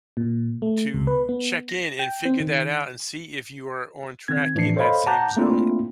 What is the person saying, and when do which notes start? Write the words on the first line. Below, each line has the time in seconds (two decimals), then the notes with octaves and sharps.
to check in, and figure that out, and see if you are on track in that same zone,
0.17 A#2
0.62 A3
0.94 C#2
1.07 B4
1.29 B3
1.69 A#6
1.99 G5
2.25 C4
2.40 D#3
4.28 D#3 C4 G#6
4.55 A2 E3 F3 D4 C7 C#7
4.76 A4 C5 C#5 D#5 F5 B5
5.06 F#5 A5 A#5 D6 F#6 G6
5.37 A3 A#3 C4 D4 E4 F4